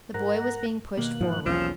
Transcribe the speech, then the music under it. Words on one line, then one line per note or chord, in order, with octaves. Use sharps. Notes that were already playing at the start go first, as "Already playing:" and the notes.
The boy was being pushed forward.
G#2 A#4 F#5 A#5
B2 D#3 A#3 F#6
G#2 F3
B1 E2 F3 C#4 E6